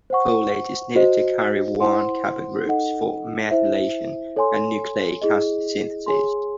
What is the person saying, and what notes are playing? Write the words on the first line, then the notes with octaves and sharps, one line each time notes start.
Folate is needed to carry one carbon groups for methylation and nucleic acid synthesis.
C5 F#5 C#6
F#4 C5 D#5
E4 C5 F#5 C6
D#4 A4 D#5 F#5
E4 C5 E5
A4 C#5 G#5 C6
E4 G#4 D#5
G#4 C#5 G#5 C6